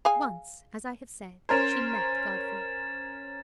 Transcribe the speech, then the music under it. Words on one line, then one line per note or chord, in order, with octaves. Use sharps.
Once, as I have said, she met Godfrey.
G#4 F5 G#5
C#4 A#4 C5 G#6 A6 E7